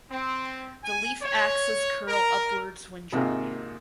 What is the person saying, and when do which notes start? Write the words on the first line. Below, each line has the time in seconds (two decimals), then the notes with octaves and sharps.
The leaf axes curl upwards when dry.
0.11 C4
0.83 G#5
1.21 C#5
2.08 A#4
3.12 G#1 C3 A#3 D#4 F4 G#4